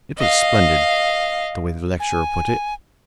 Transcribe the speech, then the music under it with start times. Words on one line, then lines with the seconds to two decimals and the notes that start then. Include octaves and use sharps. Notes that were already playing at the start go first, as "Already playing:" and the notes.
It was splendid, the way the lecturer put it.
0.18 D#5 F5
2.00 G#5